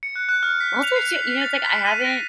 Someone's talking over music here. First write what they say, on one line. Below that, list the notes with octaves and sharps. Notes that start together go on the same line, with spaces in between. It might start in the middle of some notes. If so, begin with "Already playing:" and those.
Also, too you know, it's like I haven't
C#7
F#6
F#6
F6
B6
F7
C7
B6
A6
B6
D#7
A#6